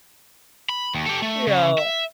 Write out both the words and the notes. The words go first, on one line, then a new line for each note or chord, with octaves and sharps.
you know,
B5
D#2
G4 A4
A3
C#3
E5